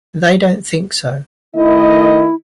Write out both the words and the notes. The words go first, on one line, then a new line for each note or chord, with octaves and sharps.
They don't think so.
D#3 A3 E4 D#5